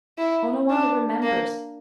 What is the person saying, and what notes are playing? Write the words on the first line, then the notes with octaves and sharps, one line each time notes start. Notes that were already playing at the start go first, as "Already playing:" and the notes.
Onawandah remembers!
E4
D4
A#3